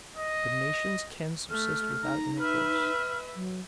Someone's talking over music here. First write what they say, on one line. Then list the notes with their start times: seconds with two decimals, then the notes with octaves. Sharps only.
But nations can subsist without intercourse.
0.17 D#5
1.50 A3 F6
2.04 D#4 A#5
2.40 B4 E5 F6
3.35 F#3